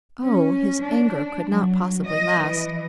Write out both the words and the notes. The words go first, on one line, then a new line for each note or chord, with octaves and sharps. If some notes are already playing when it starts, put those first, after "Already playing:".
Oh! his anger could not possibly last.
C#4
D4
D4
F#3
D#5
E3